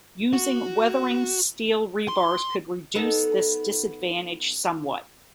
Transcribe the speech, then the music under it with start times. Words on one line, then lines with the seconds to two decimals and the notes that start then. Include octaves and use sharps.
Using weathering steel rebars could reduce this disadvantage somewhat.
0.33 F#4
2.08 C6
2.95 B3 D#4 A4